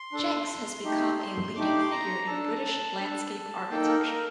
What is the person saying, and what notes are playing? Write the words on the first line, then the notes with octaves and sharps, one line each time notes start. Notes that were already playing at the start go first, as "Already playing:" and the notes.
Jencks has become a leading figure in British landscape architecture.
Already playing: C6
D4 A4
A3 D#4 G4
C6
A3 D#4 G4 D6
C6
A#5
D4 A4 A5
D4 A4
A#3 D#4 A4 G5
A#4
A#4